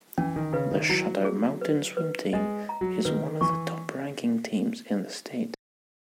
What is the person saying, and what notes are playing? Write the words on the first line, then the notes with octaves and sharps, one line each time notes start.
The Shadow Mountain swim team is one of the top-ranking teams in the state.
E3 C#4
D#3
C#3 B4
D#3
F#3 E4
G#4
B4
B4
G#3 D#5
A#5
F#3
D#3 B4
E3 C#6